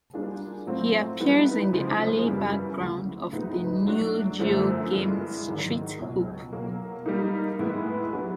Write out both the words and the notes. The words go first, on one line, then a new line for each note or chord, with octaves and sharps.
He appears in the alley background of the Neo-Geo game "Street Hoop".
G3 A#3 D4 F4 G#4
A2 F#3 A3 C4 F4
E3 G3 B3 D#4
C#3 F3 G#3
F#2 C#3 E3 G3 B3
D2 C#3 F#3
A2 F3 G#3 B3 D#4
F#3 A3 D4 F#4
F#2 D3 F3 A3
G2 E3 G#3
G#2 D#3 F#3
C#2 B2 F#3
B2 F#3 A#3
G3 A#3 D#4
A2 E3 G#3 B3 E4
F#3 B3 D4 G4